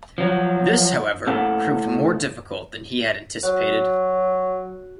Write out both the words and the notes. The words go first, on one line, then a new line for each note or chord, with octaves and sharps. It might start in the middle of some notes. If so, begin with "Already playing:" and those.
This, however, proved more difficult than he had anticipated.
F3 F#3
A2 A#3 A4 F#5
F#3 F#4